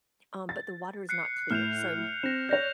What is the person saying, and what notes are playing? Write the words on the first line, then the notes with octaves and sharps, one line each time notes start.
um, but the water is not clear, so
A6
F#6 C7 C#7
A2 F6 G6 E7 F7
C4 A#6 E7
C#5 D5 G6 A#6 F7